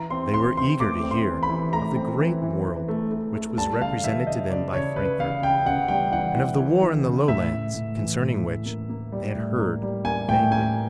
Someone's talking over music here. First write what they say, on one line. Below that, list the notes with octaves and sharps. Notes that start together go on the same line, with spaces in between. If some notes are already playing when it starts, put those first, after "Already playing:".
They were eager to hear of the great world which was represented to them by Frankfort, and of the war in the lowlands concerning which they had heard vaguely.
Already playing: E3 A#5
C4 C6
E3 C6
C4 C6
A3 D6
C4
C6
E3
B5
E3
A3 A#5
C4
E3
E3
E3
A3
A3
A3
G3 A5
C#3 F5
E3 E5
C#3 D#5
C#3 D5
C#3 C#5
C#3 B4
C#3 F5
C#3 G5
C#3 F#5
G3 G5
E3 F#5
E3
E3
E3
C#3
A2 E5
A2
A2
E3
A2
A2
A#3
A#3
G3
A2
A#3
G3
A#3 G#5
A2 G5
A#3 G#5